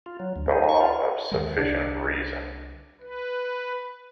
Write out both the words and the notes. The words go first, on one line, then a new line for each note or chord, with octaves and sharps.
The law of sufficient reason.
F4
F#3
D2
D#4
C#6
F4
D#2 D#3 G#3
C2 D3 D4
B4